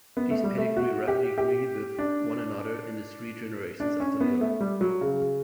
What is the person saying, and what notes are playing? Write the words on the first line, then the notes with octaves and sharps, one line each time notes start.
These pedigree roughly agree with one another in the three generations after Leod.
B3
A3
G3
A3
F#4
G4
G4
D4
D4
C#4
B3
A3
G3
F#3
C#3